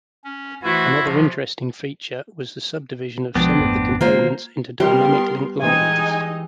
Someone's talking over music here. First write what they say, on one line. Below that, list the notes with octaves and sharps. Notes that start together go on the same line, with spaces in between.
Another interesting feature was the subdivision of some of the components into dynamic-link libraries.
C#4
E3 A3 E4 F#4 C5
C3 F3
B1 F3 G#3 B3 C4 D4
G#1 F2 A3
D#3 G#3 A#3 F4 C5
G3 B3 A#4 G5 C6
E3 G#3 C4 D#4 D#5 G#5